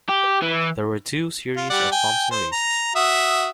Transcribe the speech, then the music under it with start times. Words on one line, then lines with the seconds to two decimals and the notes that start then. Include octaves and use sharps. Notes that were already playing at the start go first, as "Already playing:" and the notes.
There were two series of Thompson races.
0.09 G4
0.42 E3
1.57 F4
1.70 G3 D5 F#5
1.92 G5 G#5
2.31 C5
2.52 A#5
2.95 F#4 E5 D#6